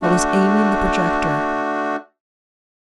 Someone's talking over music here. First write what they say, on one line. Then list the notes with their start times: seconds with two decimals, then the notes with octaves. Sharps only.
I was aiming the projector.
0.02 A3 D4 F#4